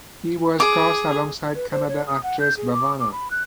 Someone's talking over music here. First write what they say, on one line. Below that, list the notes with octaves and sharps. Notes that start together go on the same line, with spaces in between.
He was cast alongside Kannada actress Bhavana.
G#4 D6
B4
C5
C#5
D#6
F#5
G6
G#4
D6
D6
B5
F#6